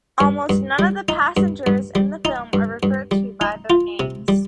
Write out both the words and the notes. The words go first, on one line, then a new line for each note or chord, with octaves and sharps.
Almost none of the passengers in the film are referred to by their names.
G2
G2
G3
D#4
G2
G2
G3
D#4
G2
G2
G3
D#4
F4
C3
G3